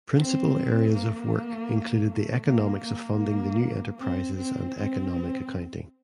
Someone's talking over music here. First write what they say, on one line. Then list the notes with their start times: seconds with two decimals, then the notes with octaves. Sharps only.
Principal areas of work included the Economics of Funding new enterprises and Economic Accounting.
0.16 C4
0.93 A#3
2.08 A3
2.46 A#3
2.84 A#3
3.99 C4
4.37 C4
4.76 C4